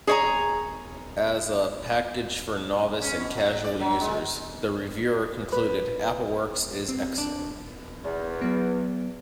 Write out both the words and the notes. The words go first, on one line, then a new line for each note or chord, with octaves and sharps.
As a package for novice and casual users, the reviewer concluded, "Appleworks is excellent".
G#4 C#5 D5 G#5 A#5
C#4
B2
F#3
D5
F#3
G#3
B4
C4
D4
E2
F#3 B3